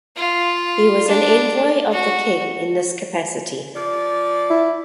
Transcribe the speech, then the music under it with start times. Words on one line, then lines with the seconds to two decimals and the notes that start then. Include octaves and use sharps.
He was an envoy of the king in this capacity.
0.16 F4
1.08 D4
1.92 F#4
3.76 F3 D5
4.50 E4